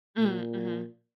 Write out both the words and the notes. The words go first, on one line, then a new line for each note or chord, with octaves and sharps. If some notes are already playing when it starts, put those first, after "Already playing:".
Mm, mhm.
A#2